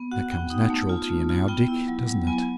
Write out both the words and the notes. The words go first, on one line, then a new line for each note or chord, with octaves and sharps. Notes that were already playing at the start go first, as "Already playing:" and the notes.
'That comes natural to you now, Dick, doesn't it?'
Already playing: B3
F#4 F#5
B3 G5
D#4
A3
F4
A3
F4
B3 G5
E4
F#3
F#3
B3 G#5